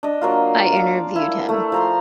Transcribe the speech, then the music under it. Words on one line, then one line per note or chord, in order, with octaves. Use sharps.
I interviewed him.
D4 D#5
F#3 A#3 F4
D5 F5
E4
A3
F3 A#5 C6